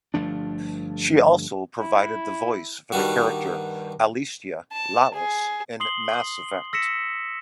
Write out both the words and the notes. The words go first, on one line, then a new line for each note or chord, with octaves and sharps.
She also provided the voice for the character Alestia Lallis in "Mass Effect".
G1 F3 A3 D4
E4
G2 D#3 G3 F#4
A5
G#4
C6 D#6 C7 F#7 G7
E6 A#6 B6 C#7 E7